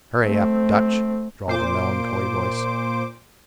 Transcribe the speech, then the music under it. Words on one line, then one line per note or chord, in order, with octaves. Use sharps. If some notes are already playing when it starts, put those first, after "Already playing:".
"Hurry up, Dutch!" drawled a melancholy voice.
A3 C4
A#2 C5 D6